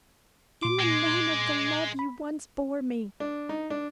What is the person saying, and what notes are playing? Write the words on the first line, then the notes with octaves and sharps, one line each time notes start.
"In the name of the love you once bore me!"
A#2 C6 D6
G#3
B5
D4
D#4
D4